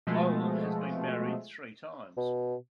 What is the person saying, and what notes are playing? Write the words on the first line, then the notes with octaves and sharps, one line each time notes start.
Lowell has been married three times.
B2 F3 G#3 A3
B2